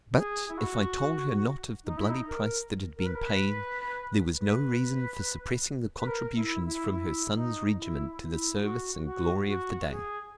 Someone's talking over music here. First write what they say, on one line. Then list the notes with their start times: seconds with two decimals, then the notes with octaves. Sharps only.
But, if I told her not of the bloody price that had been paid, there was no reason for suppressing the contributions from her son's regiment to the service and glory of the day.
0.15 G#4
0.48 E4
0.57 F#4
1.84 D#4
1.97 E4
2.09 D#4
2.27 A#4
2.97 A#4
3.06 B4
3.15 A#4
3.26 B4
4.37 B4
5.96 B4
6.07 A#4
6.35 E4
6.64 E4
6.92 E4
7.34 D#4
7.76 E4
8.19 E4
8.60 F#4
9.03 F#4
9.45 F#4
9.88 G#4